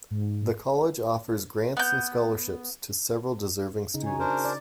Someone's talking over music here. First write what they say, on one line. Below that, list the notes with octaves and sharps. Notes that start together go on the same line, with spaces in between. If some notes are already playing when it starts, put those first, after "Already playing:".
The college offers grants and scholarships to several deserving students.
G#2
B3 G6
C#3 D#4
F#4 C#5 G#5 A#5
D4 A#4 C5
D5